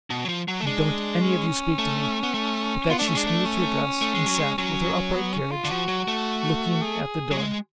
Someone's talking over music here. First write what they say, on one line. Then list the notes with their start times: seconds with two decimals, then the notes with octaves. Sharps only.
And don't any of you speak to me!' With that she smoothed her dress, and sat, with her upright carriage, looking at the door.
0.10 B2
0.25 F#3
0.28 F3
0.48 F#3
0.60 A3
0.66 G#3 D4
1.22 C#4
1.79 A3
2.23 B3
2.34 A3
2.90 B3 F4
2.99 A3 D4
3.08 C#4
3.15 G#3 D4
3.27 A3
3.45 C#4
4.02 A3
4.15 G#3
4.26 F#3
4.38 G#3
4.58 F#3 C#4
5.14 B3
5.33 C#4
5.51 F4
5.64 D3
5.69 F3 F#4
5.88 F#3
6.08 A3
6.82 G#4
7.31 F#3
7.38 G#3